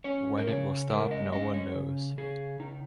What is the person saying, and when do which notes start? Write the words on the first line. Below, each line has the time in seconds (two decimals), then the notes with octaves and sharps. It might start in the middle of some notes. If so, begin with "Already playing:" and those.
When it will stop no one knows.
0.04 C#4 C#5
0.38 A#4
0.47 C#3 C#5
0.90 G#3 A#4
1.11 D#5
1.32 C#4 D#5
1.54 C#5
1.75 C#3
2.17 C#3 G#4
2.59 C#3 D#4